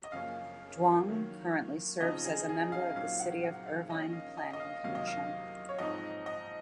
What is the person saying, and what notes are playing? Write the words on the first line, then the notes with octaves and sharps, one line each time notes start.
Duong currently serves as a member of the City of Irvine Planning Commission.
D#5
F#2 C#3 F3 A#3 C#4 F5
D#3 F#3 A#3
C#3 F3 C4 D#4 D#5
G#4
G#4
F5
A#2 F#3 C4 D#4 F5
F#5
F#5
F5
D#3 A#3 C#4 D#5
F5
D#5
D#5
F5
F2 C3 D#3 F#3 A#3 F5
D#5
F5
C#5
G#2 F3 C4 D#4 D#5
D#5